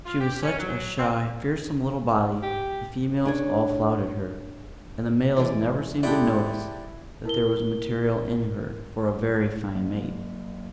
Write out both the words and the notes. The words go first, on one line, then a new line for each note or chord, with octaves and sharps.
She was such a shy, fearsome little body, the females all flouted her; and the males never seemed to notice that there was material in her for a very fine mate.
F4
G4
C#4
F#3
C4
G4
D4 G#4 C#5
E3 G#3 D5
G#3 E4 G4 A4 D5 E5 F#5 G5
E4 A#4 G7
F#3 A#3